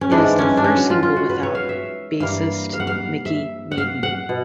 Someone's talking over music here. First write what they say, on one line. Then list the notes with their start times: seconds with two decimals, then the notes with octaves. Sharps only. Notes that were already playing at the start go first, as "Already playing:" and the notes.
It is their first single without bassist Mickey Madden.
0.01 C#4
0.11 G#2 E3 G#3 D4
0.39 C#4
0.57 D4
0.64 C#4
0.77 F#4
0.90 F4
1.03 F4
1.16 F#4
1.29 B4
1.43 C#5
1.55 F5
1.69 E5
2.20 G2 E3 G3 A#3 F5
2.73 F5
2.80 F#5
2.87 F5
3.26 E5
3.71 F#5
3.78 F5
4.03 F#5
4.29 B2